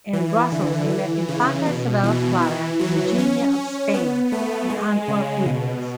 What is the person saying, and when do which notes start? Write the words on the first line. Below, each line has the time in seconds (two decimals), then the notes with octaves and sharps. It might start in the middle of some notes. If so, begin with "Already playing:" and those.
In Brussels he met Infanta Isabella Clara Eugenia of Spain; in Antwerp, Rubens.
0.13 E3
0.52 D3
0.90 E3
1.28 C#3
1.66 B2
2.04 E3
2.43 E3
2.80 F#3
3.18 C#4
3.94 B3
4.32 A3
4.70 G#3
5.08 C#3
5.46 B2